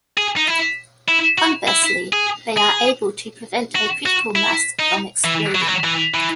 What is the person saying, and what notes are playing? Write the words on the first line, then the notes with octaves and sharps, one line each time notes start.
Conversely, they are able to prevent a critical mass from exploding.
G#4
D#4
E4
E4
F#4
E4
G#4
G#4
F#4
F#4
E4
D#4
E3
F#3
E3
F#3
E3
E3